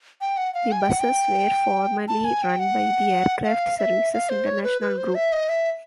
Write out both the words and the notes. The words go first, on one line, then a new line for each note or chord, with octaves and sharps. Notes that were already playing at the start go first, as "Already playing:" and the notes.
The buses were formerly run by the Aircraft Services International Group.
G5
F#5
F5
G#5
G5
F#5
G5
A5
G#5
G5
F#5
F#5
F5
E5
F5
C5
C#5
B4
B4
C5
E5
D#5
E5